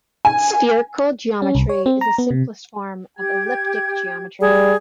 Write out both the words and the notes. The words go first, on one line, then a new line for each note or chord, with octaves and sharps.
Spherical geometry is the simplest form of elliptic geometry.
G#5
C#4
C2
C#5
C4
A#5
B3
C3
G4 G#6
G3 G#4